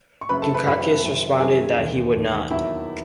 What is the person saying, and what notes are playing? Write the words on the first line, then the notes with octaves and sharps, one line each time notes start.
Dukakis responded that he would not.
C#6
F#1 F#2 C#3 F#3 B4 B5
A4 A5
B4 B5
F#1 F#2 C#3 F#3 B4 B5
F#1 F#2 D#3 F#3
F#1 F#2 D#3 F#3 G#4 G#5
E1 D#2 D#3
E1 D#2 D#3
E2 D#3 F#3 E4 E5